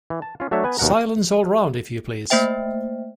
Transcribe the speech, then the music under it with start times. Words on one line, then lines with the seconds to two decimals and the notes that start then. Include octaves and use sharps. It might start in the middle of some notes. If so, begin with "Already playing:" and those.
Silence all round, if you please!
0.10 E3
0.22 A5
0.40 C#4 F4
0.51 F#3 A3 D4 C#5 E5
0.64 B3 B4 G#5
0.78 D#2 B2 A#4 F#5 A#5
2.30 A3 A#3 C5 E5 G5